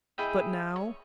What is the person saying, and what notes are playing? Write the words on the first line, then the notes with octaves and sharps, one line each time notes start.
But now?
E4 G#4 D#5 G5
C#5